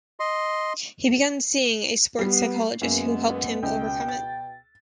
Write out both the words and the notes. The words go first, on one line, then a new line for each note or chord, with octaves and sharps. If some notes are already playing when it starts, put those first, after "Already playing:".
He began seeing a sport psychologist who helped him overcome it.
D#5 C6
G3 B3 C7
F#2 G#3 A#3 B3 E7
C#2 B2 G5
A6